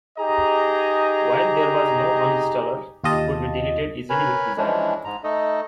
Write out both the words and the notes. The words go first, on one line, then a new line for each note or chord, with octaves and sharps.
While there was no uninstaller, it could be deleted easily if desired.
D#4 G4 G#4 D#5 A#5
D#2 F4 G4 D#5 A5
A#4 B4 C#5 G#5 B5
E3 F3 G#3 C#4 D4 E4
G#2 A#5
A3 D#4 A4 D#5